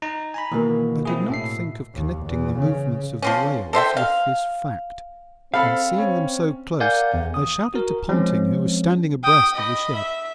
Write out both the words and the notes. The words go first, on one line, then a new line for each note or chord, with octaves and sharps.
I did not think of connecting the movements of the whales with this fact, and seeing them so close I shouted to Ponting, who was standing abreast of the ship.
D#4 A#5
G#5 A#5 B5
B2 D#3 E3 A#3
C4 E4 G#4
A2 E5 C7
D#2
E2
C#3
F3 C4 C#4
A4 C5 E5 G5
F5
C4 A4 F5 B5 F6
C#4
A#4 D5 F5 F#5 G#5 G6
E2
D#6
F#4 A#4
F3 G#3 C4 C#4
G5 D#6
D#5 B5
E5